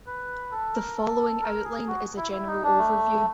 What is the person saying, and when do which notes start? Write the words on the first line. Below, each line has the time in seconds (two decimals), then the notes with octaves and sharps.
The following outline is a general overview.
0.06 B4
0.51 A4
0.74 A#4
0.97 A4
1.41 A#4
1.64 G#4
1.87 F#4
2.17 E4
2.32 E4
2.47 D#4
2.63 D4
2.78 A3